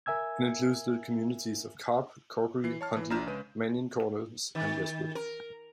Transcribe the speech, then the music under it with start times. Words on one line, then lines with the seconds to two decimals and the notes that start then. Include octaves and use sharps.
It includes the communities of Carp, Corkery, Huntley, Manion Corners, and Westwood.
0.06 A#4 E5 G#5 E6 G#6
2.64 E3 C7
2.81 C#5 A5 F6
2.97 E3
3.10 A#1 D4 A#5 F6 G6 E7
3.27 C#3 G#3 B4 D#7
4.55 D#3
5.15 A#4